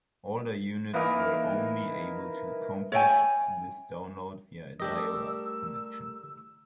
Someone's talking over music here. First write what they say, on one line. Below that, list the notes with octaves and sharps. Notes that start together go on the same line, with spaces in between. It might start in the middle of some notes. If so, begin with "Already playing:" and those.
Older units were only able to accomplish this download via a dial-up connection.
E3 A#3 D#4 A#4
C#5 E5 G5 G#5
G3 A3 D4 G4 A#4 D#5 E6